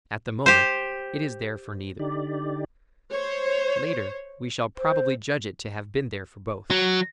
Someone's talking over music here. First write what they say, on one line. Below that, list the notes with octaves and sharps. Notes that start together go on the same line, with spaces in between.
At the moment, it is there for neither; later we shall probably judge it to have been there for both.
G4 C5
D3 D#4 G4 D5
C5 C#5
C5
F#3